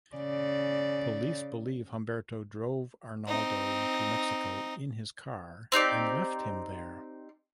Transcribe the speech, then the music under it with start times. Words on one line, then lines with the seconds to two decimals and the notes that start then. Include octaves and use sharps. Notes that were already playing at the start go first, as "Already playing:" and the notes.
Police believe Humberto drove Arnoldo to Mexico in his car and left him there.
0.16 C#3 D5
3.28 C4 D#4
5.72 C4 D#4 G4 D5